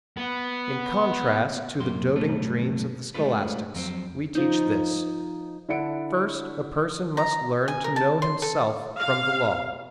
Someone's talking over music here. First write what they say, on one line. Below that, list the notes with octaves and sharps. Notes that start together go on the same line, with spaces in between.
In contrast to the doting dreams of the scholastics, we teach this: First a person must learn to know himself from the Law.
B3
B1 F#2 A#3 C6
B1 G2 C#3 G3 A3
G#3 A3 D4 F4 B4
F2 F#3 C4
F3 D#4
D3 D4 E4 F#5 C#7 D7
A#5
G#5
A#4
A5
C6
A4
F5